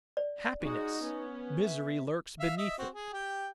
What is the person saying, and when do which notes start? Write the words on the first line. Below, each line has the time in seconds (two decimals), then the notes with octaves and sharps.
Happiness!--misery lurks beneath it!
0.17 D5
0.61 G#3 D#4 F#4
1.03 B3 C#4
1.63 E5
2.40 E5 F5
2.57 D#5 E5
2.78 C4 F#4
2.93 G#4
3.13 G4 G5